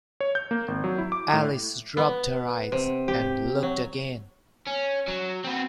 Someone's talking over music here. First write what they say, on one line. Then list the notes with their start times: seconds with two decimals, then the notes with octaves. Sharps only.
Alice rubbed her eyes, and looked again.
0.20 C#5
0.35 G6
0.51 A#3
0.68 G#1
0.84 F#3
0.98 E4
1.12 D6
1.33 A2
1.97 B3
2.72 C3
3.08 G4
3.63 F#3
4.67 C#4
5.08 F#3
5.44 B3 C4